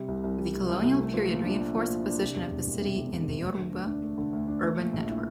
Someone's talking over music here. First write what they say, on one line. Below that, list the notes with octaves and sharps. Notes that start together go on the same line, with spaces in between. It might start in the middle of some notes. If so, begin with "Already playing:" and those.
The colonial period reinforced the position of the city in the Yoruba urban network.
Already playing: C3 G3
C2
C2
G3
C3
C2
C2
A3
F3
A#2
D4
A3
F3
A#2
D4
C3
E2
E1
E1
C3
E2
E1
E1
A3
D3
D2
D4
A3
D3
D2
D4
A3
A#2
A#1
E4